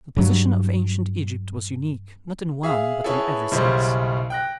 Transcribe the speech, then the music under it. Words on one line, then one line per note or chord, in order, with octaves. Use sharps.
The position of Ancient Egypt was unique, not in one, but in every sense.
G2 F#3
G#4 E5 F5
B3 C#4 E4 G#4 A4
B1 F#2 C#3 G3 E4 C5
G5 F#6 A#6